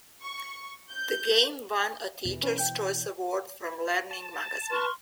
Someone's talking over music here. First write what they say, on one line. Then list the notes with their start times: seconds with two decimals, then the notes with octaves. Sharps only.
The game won a Teacher's Choice Award from Learning Magazine.
0.22 C#6
0.91 G6
2.25 E2 B2 E3
2.43 C#4 B4
2.58 C5 G5 G6
4.11 A5
4.70 B4 C6 C#6 F6